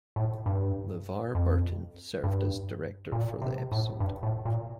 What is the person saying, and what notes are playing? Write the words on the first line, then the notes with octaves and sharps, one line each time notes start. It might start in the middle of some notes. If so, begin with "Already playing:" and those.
LeVar Burton served as director for the episode.
A2
G2
F2
G2
A#2
C3
A2
G2
A2
A#2